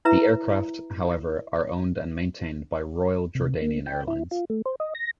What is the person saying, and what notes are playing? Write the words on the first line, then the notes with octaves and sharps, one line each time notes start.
The aircraft, however, are owned and maintained by Royal Jordanian Airlines.
E4 B4 E5 A#5
C3
A#3
G5
E4
F4
A3
C5
D#5
A#6